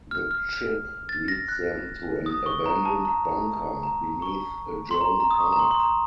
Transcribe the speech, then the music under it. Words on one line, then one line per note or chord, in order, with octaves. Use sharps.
The chip leads them to an abandoned bunker beneath a German park.
F6
F6
A6
A#6
F#6
D#6
C#6
A#5
A5
A#5
A#5
C#6
C6
A#5
A#5
D#6
C#6
A#5
C6
C6
A#5